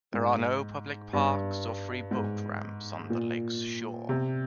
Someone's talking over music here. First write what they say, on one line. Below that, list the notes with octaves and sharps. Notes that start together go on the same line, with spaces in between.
There are no public parks or free boat ramps on the lake's shore.
G#2
G2
G#2
A#2
C3